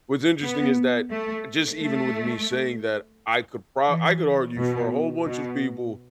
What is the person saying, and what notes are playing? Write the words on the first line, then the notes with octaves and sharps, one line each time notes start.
what's interesting is that just even with me saying that I could pro I could argue for a whole bunch of people
B3
A3
A3
E3
B2
B2